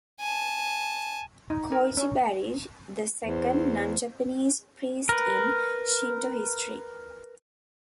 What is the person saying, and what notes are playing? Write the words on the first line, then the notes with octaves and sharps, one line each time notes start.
Koichi Barrish, the second non-Japanese priest in Shinto history.
G#5 A5
D#4
A#4
C#4
E2 C5
A#4 B4